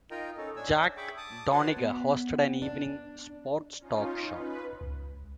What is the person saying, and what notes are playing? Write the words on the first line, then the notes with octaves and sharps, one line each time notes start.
Jack Donniger hosted an evening sports-talk show.
D#4 F4 A#4 D#5 G5 A#5
C#4 D#4 A4
D4 C#5 G#5 E6
G#4 E5 G5 B5 C#6 D6
A5 D6 D#6
F#4 B4 C#5 F#5 A5 C6
B3
D4
C#4 D#4 F4
B4
C#2